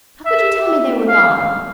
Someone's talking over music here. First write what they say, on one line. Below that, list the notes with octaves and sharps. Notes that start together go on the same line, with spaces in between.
How could you tell me they were gone?
E5
F5